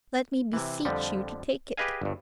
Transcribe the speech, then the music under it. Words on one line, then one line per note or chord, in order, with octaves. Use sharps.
"Let me beseech you to take it."
C3 E3
F2 D3 F3 G3
G4 G#4 B4 D#5 F5 G#5
G1 G2